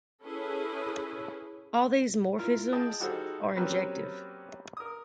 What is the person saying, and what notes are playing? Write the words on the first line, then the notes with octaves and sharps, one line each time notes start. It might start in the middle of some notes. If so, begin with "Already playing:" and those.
All these morphisms are injective.
C#4 E4 G#4 A4 B4
E4 F4 A#4
G#4 D#5 G5 A5
G3 D#4 F#4 G#4 A4 C5
F#3 G3 A#3 C4 C#4 B4
A#4 D#6